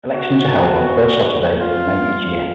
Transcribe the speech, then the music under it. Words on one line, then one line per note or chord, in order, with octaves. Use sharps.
Elections are held on the first Saturday in May each year.
F#4
F4